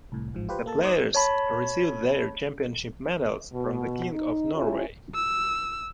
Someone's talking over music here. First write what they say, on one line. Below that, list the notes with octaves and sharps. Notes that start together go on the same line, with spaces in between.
The players received their championship medals from the King of Norway.
C2 A2
A1 G#2 F3
F4 G4 B4 C5
A#3 A4 A5
D#4 C5 D6 D#6 G#6
C#5 A5 B5
B2
D#4
C#4 E4 F4 G4 C#5
E6